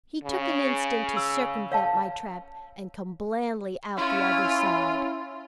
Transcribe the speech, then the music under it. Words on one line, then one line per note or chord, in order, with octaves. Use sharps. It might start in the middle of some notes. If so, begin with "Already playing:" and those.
He took an instant to circumvent my trap and come blandly out the other side.
C#3
E6
C#5 F5 A5
C#4 E4 F4